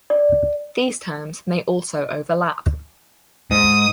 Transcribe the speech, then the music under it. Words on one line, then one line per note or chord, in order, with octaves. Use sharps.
These terms may also overlap.
D5
G#2 D#6